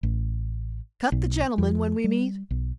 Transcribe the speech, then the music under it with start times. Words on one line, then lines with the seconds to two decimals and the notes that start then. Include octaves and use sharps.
Cut the gentleman when we meet?
0.03 A1
1.12 B1
1.58 F2
2.04 G3
2.51 B1